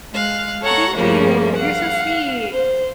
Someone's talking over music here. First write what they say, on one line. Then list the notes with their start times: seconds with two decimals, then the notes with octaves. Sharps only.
Thank you. You're so sweet.
0.12 G#3 F5 F#6
0.63 A4 C#5 F#5 A#5 C#6
0.97 G2 C#3 F3 G3 A3 A#3
1.55 F5 F#5
2.52 C5